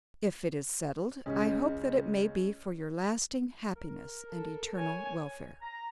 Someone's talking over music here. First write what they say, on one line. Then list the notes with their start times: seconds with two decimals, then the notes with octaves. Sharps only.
"If it is settled I hope that it may be for your lasting happiness and eternal welfare."
1.26 C#2 C#4
3.76 A#4
4.29 A4
4.75 C#5 G#5
5.62 A#5